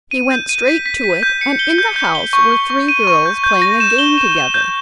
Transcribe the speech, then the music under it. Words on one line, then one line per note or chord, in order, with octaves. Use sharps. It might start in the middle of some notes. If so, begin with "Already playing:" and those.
He went straight to it and in the house were three girls playing a game together.
D#7
G6
D#7
B6
B6
B6
G6
C#7
G7
G6
G6
G7
C#6
C#6
C#6
D#7
C#6
G6
G6
A#6
E7
G7
E7
E7
G6